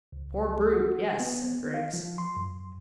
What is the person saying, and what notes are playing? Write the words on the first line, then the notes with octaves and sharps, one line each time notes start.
"Poor brute, yes," said Griggs.
C#2
F#4
B3
F5
F3
C6
F#2